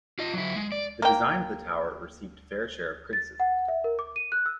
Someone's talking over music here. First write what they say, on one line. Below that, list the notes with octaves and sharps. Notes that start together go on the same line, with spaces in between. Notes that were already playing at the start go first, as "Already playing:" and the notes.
The design of the tower received a fair share of criticism.
F4 D#5
F#3 E4
G#3
D5
A#3 G5
A6
F#5
E5
A#4
D6
D#7
F#6
E6